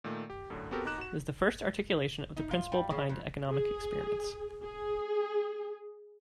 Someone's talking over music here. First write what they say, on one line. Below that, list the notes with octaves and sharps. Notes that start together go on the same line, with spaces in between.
It was the first articulation of the principle behind economic experiments.
A#2 D#3 A3
G4
F#2 A2 D3
B3 C4 F#4 G4 A4 A#4
D#2 D#4 A#5 D6 F#6 E7
F#4 E7
D#4
F4
G3
C#3
F2
G#4
G#4